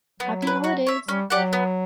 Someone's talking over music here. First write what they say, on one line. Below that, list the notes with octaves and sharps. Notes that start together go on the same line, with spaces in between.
Happy Holidays!
F#3 B3
E4 B4
F#4
C#5 E5
G3 C#4
F#3 G4 D5 F#5
B3